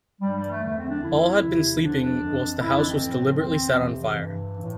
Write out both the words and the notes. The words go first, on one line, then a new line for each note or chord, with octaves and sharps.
All had been sleeping whilst the house was deliberately set on fire.
G2 E3 G3
G3
A3
E2 D3 F3 A3
C4
D4
F2 D3 F3 E4
E2 C3 E3
E2 D3 F3 D4
D4
F2 E3
F2 E3 E4
D4
C4
A2 F3
E2 E3 C4
F2 C3 E3
G2 E3
A2 E3